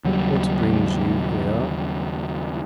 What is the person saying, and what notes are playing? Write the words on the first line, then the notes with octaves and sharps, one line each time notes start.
"What brings you here?"
D#2 C#3 F#3 G3